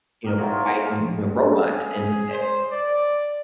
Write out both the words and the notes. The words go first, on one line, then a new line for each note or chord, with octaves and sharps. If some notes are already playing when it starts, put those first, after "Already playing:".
you know, providing, you know, robot at the end of the day,
G4 G#4 A#4 D#5
E3 F#3 D#4 F4
B3 F4 G#4
A#3
A3 G#4
G#4
C5
D5